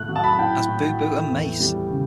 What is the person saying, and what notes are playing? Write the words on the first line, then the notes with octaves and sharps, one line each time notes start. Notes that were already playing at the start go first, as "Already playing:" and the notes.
As Boo Boo and Mace!
Already playing: A2 A3 F#6
F#3
A5
B5
A5
A2 G5
A2
A3
E2
G3
C#3